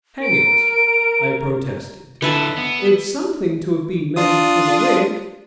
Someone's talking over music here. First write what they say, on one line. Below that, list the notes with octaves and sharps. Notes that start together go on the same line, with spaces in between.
"Hang it," I protested, "it's something to have been measured for the wig."
A#4 D7
D3 E4 B4 E5 A5
B3
D4 F4 D#6